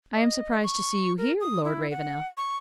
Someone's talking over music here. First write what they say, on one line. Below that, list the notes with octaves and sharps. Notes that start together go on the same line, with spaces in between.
"I am surprised to see you here, Lord Ravenel."
D#5
C#6
A#4
D#6
E4
F#5
C#6